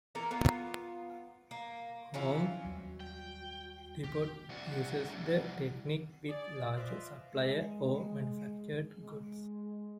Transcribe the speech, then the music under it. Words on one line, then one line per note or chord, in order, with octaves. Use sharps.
Home Depot uses the technique with larger suppliers of manufactured goods.
E3 A#3 A4 A#4
B3 F4
A#3
E3 C4 C#4 F4
D#2 F#3 G3 F#4
G5
E1 A1 C4 F#4 G4
C2 F#4
G#4 D5
F4 B4 C5 D#5 E5
G#3
G#3